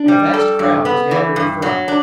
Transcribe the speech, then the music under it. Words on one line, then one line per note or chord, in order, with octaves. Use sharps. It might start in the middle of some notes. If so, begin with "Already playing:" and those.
A vast crowd was gathered in front.
Already playing: D4
G3
A4
G2
B3
E3
G2
F#3
D4